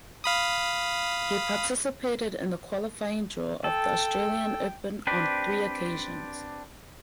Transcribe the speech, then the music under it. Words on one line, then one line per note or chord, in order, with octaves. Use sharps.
He participated in the qualifying draw of the Australian Open on three occasions.
F5 B5 D#6
A4 G5
C4 D4 G4 B4